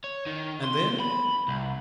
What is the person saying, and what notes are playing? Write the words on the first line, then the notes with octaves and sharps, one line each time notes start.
"And then?"
C#5
D#3
C6
B5
C2